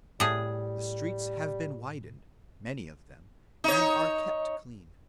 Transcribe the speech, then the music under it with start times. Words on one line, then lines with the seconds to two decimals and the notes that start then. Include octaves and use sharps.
The streets have been widened, many of them, and are kept clean.
0.20 A2 G3 G#4
3.64 D#4 C#5